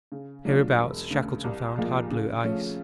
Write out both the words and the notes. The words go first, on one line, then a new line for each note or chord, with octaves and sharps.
Hereabouts Shackleton found hard blue ice.
C#3
F#3 A3 D4 F4
E1
D2 C#3
C2
A#2 F3 G#3
C#3
F3 A3 C#4